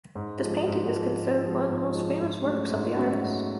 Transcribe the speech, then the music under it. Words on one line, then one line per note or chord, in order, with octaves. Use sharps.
This painting is considered one of the most famous works of the artist.
G#2
F3 G#3
G#2
F3 G#3
G#2
F3 G#3
G#2
F3 G#3
G#2
F#3 A3 C#4 F#4
G#2
F#3 A3 C#4 F#4
G#2